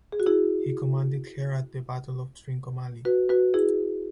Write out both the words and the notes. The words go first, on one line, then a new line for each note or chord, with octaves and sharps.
He commanded her at the Battle of Trincomalee.
G#4
F#4
E4 G#4
F#4 B4
F#4 B4
E4 G#4